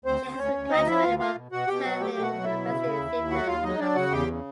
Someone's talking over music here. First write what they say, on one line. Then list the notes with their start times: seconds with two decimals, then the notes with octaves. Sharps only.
She has graduated from Tallinn University in theatre direction.
0.05 D2 C4 C5
0.22 D2
0.37 D2 C#4 C#5
0.54 D2
0.70 D2 D#4 D#5
0.87 F3 E4 E5
1.02 D2 F4 F5
1.19 A3 F4 F5
1.35 B2
1.52 B2 F#4 F#5
1.68 B2 G4 G5
1.84 F#3 F#4 F#5
2.00 A3 G4 G5
2.17 B2 F#4 F#5
2.33 F#3
2.44 E4 E5
2.49 B2
2.65 C#3
2.82 C#3
2.98 D#2
3.14 D#2
3.30 F#3 F#4 F#5
3.47 D#2 F4 F5
3.63 F#3 D#4 D#5
3.79 F#3 D4 D5
3.96 C#3 F#4 F#5
4.12 E2 G4 G5
4.28 C#3